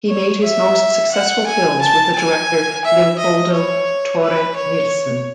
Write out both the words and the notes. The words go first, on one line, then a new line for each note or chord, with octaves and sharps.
He made his most successful films with the director Leopoldo Torre Nilsson.
C#5
E5
F#5
G#5
A5
G#5
E5
D#5
C#5
B4
C#5